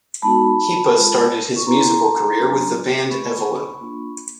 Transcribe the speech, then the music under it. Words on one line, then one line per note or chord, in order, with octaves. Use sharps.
Hipa started his musical career with the band Evelynn.
G#3 B3 D#4 F#4 A5 B5
G#3 C4 F4
C#6
B3 E4 A#5 C6
F#3 A#3 D4 F#4
A3 C4 F4 B5 C#6
A#3 D4 F4